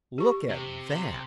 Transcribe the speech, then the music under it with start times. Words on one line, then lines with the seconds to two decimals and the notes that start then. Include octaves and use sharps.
"Look at that!"
0.18 G4 C#6
0.49 C3